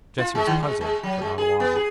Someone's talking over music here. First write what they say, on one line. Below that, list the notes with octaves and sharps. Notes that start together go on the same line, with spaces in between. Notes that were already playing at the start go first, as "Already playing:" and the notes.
Jesse was puzzled but not alarmed.
F4
G#3
D#3
G#3
G#3
F#3
G#3
G#4
B3
G#4